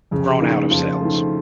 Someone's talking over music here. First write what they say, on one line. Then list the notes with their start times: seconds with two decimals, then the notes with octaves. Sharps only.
grown out of sales.
0.11 F2 C#3
0.41 D#3 A#3
0.71 F2 F3
1.01 D#3 A3